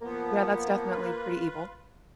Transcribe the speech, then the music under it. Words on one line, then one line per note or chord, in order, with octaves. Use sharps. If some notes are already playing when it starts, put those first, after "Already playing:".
Yeah, that's definitely pretty evil.
F3 A#3 B3
F4 B4